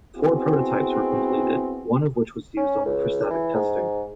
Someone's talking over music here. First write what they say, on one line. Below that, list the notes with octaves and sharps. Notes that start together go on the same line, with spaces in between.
Four prototypes were completed, one of which was used only for static testing.
B3 C4 E4 F#4 G#4
C#4
C#2
E3
G#2